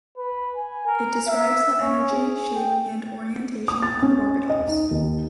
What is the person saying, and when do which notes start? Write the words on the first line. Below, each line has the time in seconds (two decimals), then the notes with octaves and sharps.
It describes the energy, shape and orientation of orbitals.
0.17 B4
0.56 G#5
0.86 A#4
1.27 E5
1.81 C#4
2.11 G#4
2.55 G5
3.68 D#6
3.82 A6
4.02 C#4
4.50 D#5
4.67 D#4
4.91 D#2